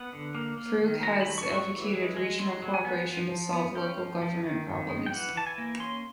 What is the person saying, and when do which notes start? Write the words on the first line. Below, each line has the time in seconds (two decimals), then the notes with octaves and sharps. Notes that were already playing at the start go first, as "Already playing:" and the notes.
Frug has advocated regional cooperation to solve local government problems.
Already playing: B3 F#5
0.13 D3
0.35 A#3
0.57 A#3
0.81 D#3
1.03 F#3 A#5
1.21 A3 B5
1.38 C#6
1.49 F#3 C#6
1.72 E3
1.94 G#3
2.17 G#3
2.39 F#3 C6
2.62 F#3
2.74 G#5
2.85 B3
3.07 F3
3.31 F3
3.53 B3
3.75 C#4 G5
3.98 F3
4.22 F3
4.44 D#3
4.67 D#3
4.89 G#3
5.06 G5
5.12 E3 F#5
5.35 E3 A5
5.47 G#5
5.58 A#3
5.80 C#4 C6